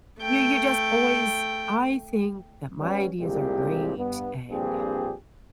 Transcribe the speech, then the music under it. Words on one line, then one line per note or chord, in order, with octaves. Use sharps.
you you just always I think that my ideas are great and
A3 G5
G3 B3 C#4
C2 A#2 G#3 C4 G4
G2 B3
A#1 G2 A#2 C4 G4 G#4